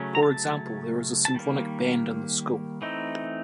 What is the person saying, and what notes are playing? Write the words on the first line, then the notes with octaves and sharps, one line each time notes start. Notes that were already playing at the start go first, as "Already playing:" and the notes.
For example, there is a symphonic band in the school.
Already playing: C#3 F#3 A3 C#4
A#5
A5
A5
D#3 G3 A#3
E3 A3 C4 D#4